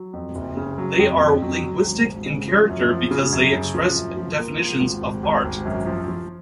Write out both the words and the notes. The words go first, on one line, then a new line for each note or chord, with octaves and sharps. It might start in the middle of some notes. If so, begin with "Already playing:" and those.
They are linguistic in character because they express definitions of art.
Already playing: F#3
F2
F#1
C#3
F#3
F2
F2
F#3
F#3
G#1
G#1
C#3
F3
F#2
F3
C#3
F#2
C#3
F3
F#2
F3
A#3
F3
G#1
G#1
G#1
G#1
F#2
F3
F3